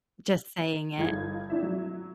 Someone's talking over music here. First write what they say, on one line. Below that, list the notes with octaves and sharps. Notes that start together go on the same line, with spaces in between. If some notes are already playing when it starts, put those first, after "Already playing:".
just saying it
G1 G2 D#4 F4 F5 G#6
C4 D4 D#4 E5
F#3